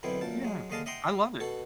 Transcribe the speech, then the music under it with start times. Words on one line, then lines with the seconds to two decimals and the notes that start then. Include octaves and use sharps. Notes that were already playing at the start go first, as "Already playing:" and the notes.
Yeah, I love it.
0.03 F#2 B2 D3 B3 C4 E4
0.21 F#2 A#2 A5
0.42 F#3 G#3
0.70 D#2 D3 G#3 D#5 F5 A5
0.86 D#5 E5 F#5 G5 A#5 C6
1.40 B2 F#4 A4